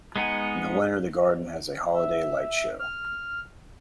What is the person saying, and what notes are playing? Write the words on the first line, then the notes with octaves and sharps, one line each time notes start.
In the winter the Garden has a holiday light show.
G#3 B3 D#4 F#5 G#5
E5
F6